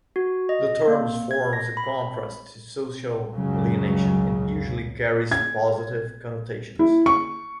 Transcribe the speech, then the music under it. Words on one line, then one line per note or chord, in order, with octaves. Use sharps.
The term forms a contrast to social alienation and usually carries positive connotations.
F#4
D#5
A#3
G#6
A#6
B5
C#2 F#2 C#3 F#3
G#6
E4
C#6